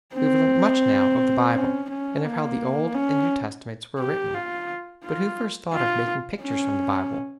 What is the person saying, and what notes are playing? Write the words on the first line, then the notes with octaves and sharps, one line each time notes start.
We have learnt much now of the Bible, and of how the Old and New Testaments were written, but who first thought of making pictures from the Bible?
C4
C#4
C#4
A#3
C#4
G4
F4
F4
F4
C#4